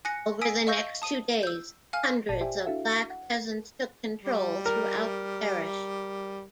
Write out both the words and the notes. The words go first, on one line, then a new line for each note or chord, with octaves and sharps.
Over the next two days, hundreds of black peasants took control throughout the parish.
G#5 F#6 A#6 C#7
G#5 D#6 E6 B6 D7
D#5 F5 C#6 E6 G6 A#6
A5 D#6 D#7
E6 G6
F5 G#5 F6
G1 A#2 D5 A5 B6 D#7
G4 C5 D5 E5 G5 G#5
D4 E4 F#4 A4 E5 F5
F#5
A#4
G3
A#4